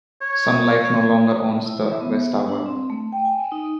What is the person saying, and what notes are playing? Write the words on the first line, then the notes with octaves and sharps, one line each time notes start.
Sun Life no longer owns the West Tower.
C#5
E4
E5
B3
D4
C4
A3
G5
G#5
D#4